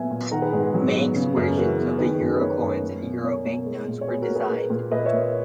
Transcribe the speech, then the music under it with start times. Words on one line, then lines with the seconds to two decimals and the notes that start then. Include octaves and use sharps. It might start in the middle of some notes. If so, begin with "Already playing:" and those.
Manx versions of the euro coins and euro banknotes were designed.
Already playing: A#2 F#3 B3 E5 G#5
0.11 A#2
0.31 D#3 F#5 A#5
0.42 G#4 B4
0.52 G#2 G#4
0.63 G#4
0.74 F#3 G#4
0.95 B3
1.16 C#3
1.37 F#2
1.57 E3 F#4 A#4
1.78 B3
1.99 D#3 G#4 B4
2.20 F#2
2.37 B4
2.41 A#3 A#4 C#5
2.62 F#2
2.82 A#3
3.03 B2
3.24 B2 A#4 C#5
3.45 A#3
3.66 G#3
3.88 A#2
4.01 C#5
4.08 B3 G#4 B4
4.22 F#4 A#4
4.29 A#2
4.35 G#4 B4
4.49 A#3
4.70 A#2
4.92 A#2 B4 D#5
5.06 C#5 E5
5.13 A#3